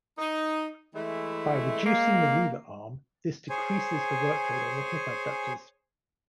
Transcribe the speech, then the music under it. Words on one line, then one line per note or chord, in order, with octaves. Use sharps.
By reducing the lever arm, this decreases the work load on the hip abductors.
D#4
E3 G#3 A3 E4
G#3 A#3
G#4 C5 C#5 G#5